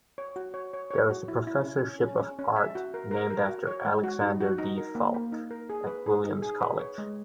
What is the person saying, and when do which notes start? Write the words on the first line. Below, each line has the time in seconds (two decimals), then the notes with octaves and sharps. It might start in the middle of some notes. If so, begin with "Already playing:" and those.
There is a professorship of art named after Alexander D. Falck at Williams College.
0.18 C#5
0.36 F#4
0.54 C#5
0.73 C#5
0.91 C#5
1.10 F#4
1.28 E4
1.47 E4
1.65 C#4
1.84 C#4
2.01 C#4
2.20 C#4
2.39 C#4
2.56 E5
2.75 F#4
2.94 A#4
3.11 A#4
3.30 A#4
3.48 F#4
3.67 C#5
3.85 G#3
4.03 F#4
4.22 D#4
4.41 F#4
4.58 D#4
4.78 A#4
4.95 A#3
5.14 A#3
5.32 D#4
5.51 A#4
5.70 G#4
5.87 B4
6.06 G#4
6.24 D#4
6.42 G#4
6.61 B4
6.80 C#5
6.98 G#3